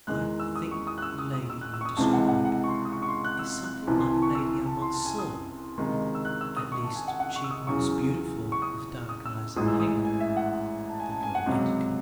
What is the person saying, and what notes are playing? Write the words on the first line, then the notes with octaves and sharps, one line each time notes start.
"I think the lady you describe, is something like a lady I once saw; at least, she was beautiful, with dark eyes and hair," the girl ended confusedly.
E2 D#3 G#3 F#6
E6
D#6
C#6
D#6
F#6
E6
D#6
D#6
E6
F#6
E6
C#6
D#6
C#2 C3 E3 G#3 A5
F#5
F#5
F#5
C#6
C6
D#6
C#6
C#6
C6
F#6
E6
F#6
C2 C3 E3 A5
C6
A5
C#6
E6
A5
C6
A5
G#5
D#6
C#2 C3 D#3 G#3
E6
F#6
E6
D#6
C#6
A5
G#5
F#5
F#5
C#6
E6
D#6
E2 C#3 F#3 C#6
C#6
D#6
D#6
E6
A1 G#2 E3 G#3 D#6
E6
D#6
G#5
E5
F#5
A5
G#5
A5
G#5
F#5
C#2 C3 F#3